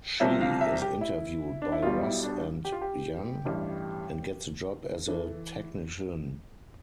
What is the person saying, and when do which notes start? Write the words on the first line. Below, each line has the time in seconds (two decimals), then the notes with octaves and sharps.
"She" is interviewed by Russ and Jan, and gets a job as a technician.
0.20 C2 C3 F3 E5
0.41 F5
0.61 E5
0.82 G4
1.01 E4
1.62 D4
1.72 E4
1.82 B1 B2 G3 F4
2.03 E4
2.23 D4
2.65 G4
2.72 F4
2.81 G4
3.45 A1 G2 E3 G3
5.08 E3 A4